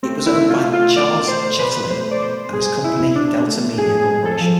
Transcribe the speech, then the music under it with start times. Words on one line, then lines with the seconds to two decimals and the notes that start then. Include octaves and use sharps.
It was owned by Charles Chatelain and his company, Delta Media Corporation.
0.03 A3 C4
0.26 E4
0.34 B2
0.50 F4
0.65 A3
0.73 F4
0.96 B2 D5
1.28 A3 C5
1.59 B2 B4
1.90 A3 C5
2.11 D5
2.22 B2 C5
2.53 B2 G#4
2.84 B2 E4
3.15 B2 D4
3.47 A3
3.78 A2 G#4
4.01 G#4
4.10 G#3
4.25 A4
4.41 F3